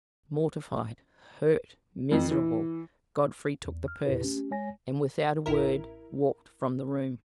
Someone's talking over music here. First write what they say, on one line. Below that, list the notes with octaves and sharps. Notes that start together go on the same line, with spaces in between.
Mortified, hurt, miserable, Godfrey took the purse, and, without a word, walked from the room.
F2
E3
E2
F6
E2 A#2 C#3 E4 G4 B4
A3 C#4 G4
G#3 C#5 G#5 A#6
A1 E4 A#4